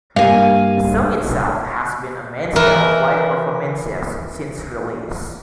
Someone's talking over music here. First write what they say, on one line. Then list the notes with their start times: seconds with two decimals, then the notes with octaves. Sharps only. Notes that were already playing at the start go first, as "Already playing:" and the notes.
The song itself has been a mainstay of live performances since release.
0.16 G2 A#3 F5 G#5
2.56 E3 E4 A#4